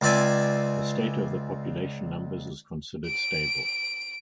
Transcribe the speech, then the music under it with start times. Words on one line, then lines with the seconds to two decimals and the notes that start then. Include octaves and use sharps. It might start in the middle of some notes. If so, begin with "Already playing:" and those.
The state of the population numbers is considered stable.
0.01 C#2 C4 D5 E5 G#5
3.07 D7